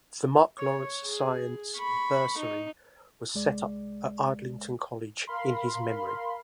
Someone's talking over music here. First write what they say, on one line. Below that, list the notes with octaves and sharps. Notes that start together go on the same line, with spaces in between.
The Mark Lawrence Science Bursary was set up at Ardingly College in his memory.
C#5
G#4
B5 C#6
D#4
C2 G#3 D5
A#4 F5 B5 C6